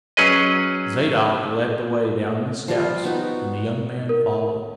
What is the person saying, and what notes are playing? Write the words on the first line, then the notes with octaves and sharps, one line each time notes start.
Zadok led the way down the steps and the young man followed.
F#3 C#4 G#4 B4 D#5
F3 G3 F4
B3 D#4 F#4
A#4